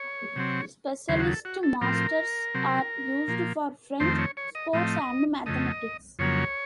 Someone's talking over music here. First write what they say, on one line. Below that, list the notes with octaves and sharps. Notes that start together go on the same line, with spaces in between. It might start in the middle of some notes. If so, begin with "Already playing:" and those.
Specialist masters are used for French, sports and mathematics.
Already playing: C#5
C3 F#3 C4
D#2 C#3 F#3 C5
F#4
A4
F#4
A4
A2 F3 C4 A#4
C3 F#3 C4
A#2 F3 A#3
F2 D#3 A3 C4 C5
C#5
C#5
D#5
A2 F3 A3 C4 D#5
F2 C#3 A3 D#5
F2 C#3 F#3 A#3 C#5